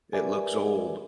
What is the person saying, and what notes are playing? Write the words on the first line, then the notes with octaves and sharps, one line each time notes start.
It looks old.
G4 A#4 B4 D5 E5 G#5